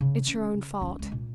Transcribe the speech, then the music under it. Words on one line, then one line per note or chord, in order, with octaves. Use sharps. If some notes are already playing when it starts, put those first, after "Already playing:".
'It's your own fault.
C#3
D#3 C#4
C#3
D#2 C#4
C#2 G#3
A#2